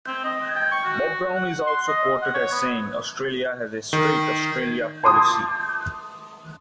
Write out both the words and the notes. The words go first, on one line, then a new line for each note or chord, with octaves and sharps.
Bob Brown is also quoted as saying Australia has a "straight Australia policy".
C4
D#5
G5
C#6
F#4
F#5
C6
D#5
F#5
C#5
B3
D#3
A5 C6 D6 D#6